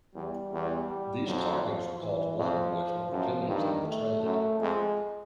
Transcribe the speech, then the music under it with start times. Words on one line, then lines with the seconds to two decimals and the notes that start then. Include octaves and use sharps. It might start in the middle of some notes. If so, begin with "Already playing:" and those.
These carvings were called "Black Boys" or "Virginians" in the trade.
0.15 E2 G3
0.52 E2
0.89 G3
1.26 F2 F#3
1.63 F3
2.00 E3
2.37 F2 F3
3.11 F#2 F3
3.48 G2 D#3
3.86 A3
4.23 F#2 A3
4.60 F2 G#3